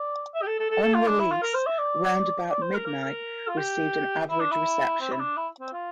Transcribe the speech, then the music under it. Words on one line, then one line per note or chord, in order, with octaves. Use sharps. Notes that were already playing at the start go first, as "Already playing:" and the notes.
On release, "Round About Midnight" received an average reception.
Already playing: D5
E5
G4
A4
A4
A4
A4
F4
D4
E4
F4
A#4
C5
E5
D5
D5
C5
A#4
A#4
A#4
F4
G4
E4
D4
E4
C4
E4
D4
E4
C4
F4